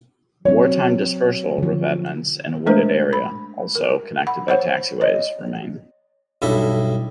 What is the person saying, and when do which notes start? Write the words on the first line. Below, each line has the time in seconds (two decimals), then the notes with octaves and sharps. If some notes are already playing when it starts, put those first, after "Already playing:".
Wartime dispersal revetments in a wooded area, also connected by taxiways, remain.
0.45 F#3 C4 C#5
1.58 D3 F3
2.66 G#3 A3 D4 A#4 C5
3.13 B5
3.75 A#4
4.27 F#5 B5
4.48 C5 C#5 F#5
5.01 C#5 D#5
6.42 B1 G2 E4 A4